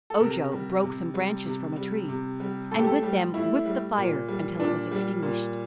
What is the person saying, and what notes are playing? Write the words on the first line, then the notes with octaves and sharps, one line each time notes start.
Ojo broke some branches from a tree and with them whipped the fire until it was extinguished.
A4
C3 A#4
G3
C3
G3
C3
G3
C3
G3
A2 A4
G4
A4
G3 G4
A2 E4
G3
A#2
G3
A#2 D4
G3
A#2